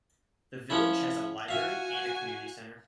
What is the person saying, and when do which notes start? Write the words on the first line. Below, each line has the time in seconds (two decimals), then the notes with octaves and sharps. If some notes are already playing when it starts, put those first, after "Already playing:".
The village has a library and a community centre.
0.70 F3 C#4 E4
1.48 F#4 E5 F5 G#5